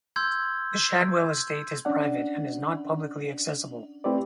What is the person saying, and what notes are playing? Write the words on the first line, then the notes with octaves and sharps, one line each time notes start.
The Shadwell estate is private and is not publicly accessible.
C6 E6 G6 G#6
C#4 D4 D5 F#5
A3 C4 E4 G4 B4 D5